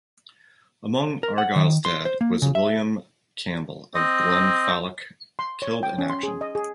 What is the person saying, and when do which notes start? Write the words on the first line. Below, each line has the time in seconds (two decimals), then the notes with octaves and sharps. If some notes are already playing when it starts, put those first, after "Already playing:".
Among Argyll's dead was William Campbell of Glenfalloch killed in action.
1.23 A#4
1.38 F#5
1.56 D#3
1.85 C6
2.05 C5
2.21 A#3
2.42 C#3
2.55 E5
3.95 C4 D#5
5.39 C6
5.62 C#5
5.83 G5
5.98 C#4
6.10 C6
6.23 G#4
6.41 D#5
6.55 G#4